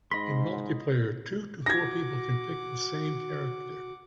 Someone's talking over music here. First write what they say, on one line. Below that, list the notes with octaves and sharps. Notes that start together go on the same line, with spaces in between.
In multiplayer, two to four people can pick the same character.
G#2 D#5 B5 C6 B6
F#4 F#5 D6 G#6 A#6